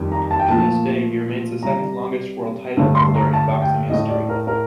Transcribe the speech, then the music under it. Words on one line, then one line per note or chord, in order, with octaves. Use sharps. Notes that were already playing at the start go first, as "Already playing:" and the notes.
To this day he remains the second longest world title holder in boxing history.
Already playing: F2 D#3 G3
A#5
A5
G5
A#2 F3 A3 A5
C3 G3 A#5
G2 D3 A3
C6
A#5
A5
G5
A2 A3 D#5
D5
A#4
A#4